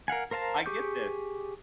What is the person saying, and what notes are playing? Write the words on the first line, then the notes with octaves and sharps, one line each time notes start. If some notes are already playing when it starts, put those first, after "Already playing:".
I get this.
A#4 F5 F#5 G#5
A#4 C5 F5 A5 A#5
G4 G#4 C#6 D6 G6